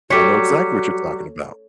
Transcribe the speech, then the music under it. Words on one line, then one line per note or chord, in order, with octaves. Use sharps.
I know exactly what you're talking about.
F#3 G3 F#4 A4 C#5 D6 B6 C#7